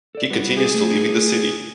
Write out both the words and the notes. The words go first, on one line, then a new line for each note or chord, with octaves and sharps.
He continues to live in the city.
A4 D5
G3 F#4 B4
G#4
A3